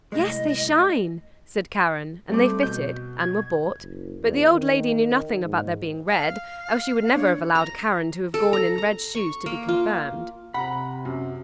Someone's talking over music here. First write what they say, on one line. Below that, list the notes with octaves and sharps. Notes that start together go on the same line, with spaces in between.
"Yes, they shine!" said Karen, and they fitted, and were bought, but the old lady knew nothing about their being red, else she would never have allowed Karen to have gone in red shoes to be confirmed.
C2 A2 G#3 D#5
G3 A3 C4 D6
B2 G6
G#6
F#1
E2
D#3
G#2
F5
D4 C#5 D5
A#5
A4
A#5
A#5
C#6
A#3
F4
C3 F#5 A#5 B5
F#2